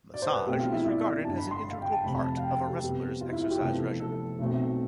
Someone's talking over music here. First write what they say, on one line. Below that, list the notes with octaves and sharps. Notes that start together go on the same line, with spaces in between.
Massage is regarded an integral part of a wrestler's exercise regimen.
D5
C5
B4
A4
B1 B2 A3 C4 G4
F4
E4
D5
G1 G2 D3 A5
B5
C6
F5
G5
A5
F1 F2 C3 B5
A5
F5
G5
A4
G4
F2 C3 G3 B3
F4
E4
F4
G4
F1 F2 E3 B3 A4
A4
B1 B2 A3 C4